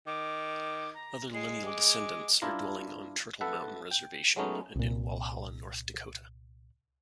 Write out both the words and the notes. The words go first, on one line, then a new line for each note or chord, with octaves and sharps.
Other lineal descendants are dwelling on Turtle Mountain Reservation and in Walhalla, North Dakota.
D#3 D6
A#5
G#3 C7
D6
G2 D4 E4 F4 A#5
A4 B4 E5 F#5
G5
F#3 G#3 A3 B3 C#4 D#4
C2 A#2